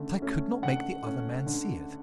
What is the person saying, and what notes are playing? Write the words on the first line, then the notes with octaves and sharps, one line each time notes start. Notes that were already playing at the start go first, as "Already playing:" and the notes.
But I could not make the other man see it.
Already playing: D3 A3 C#4
A3 C#4
D3 F#5
A3 C#4
D3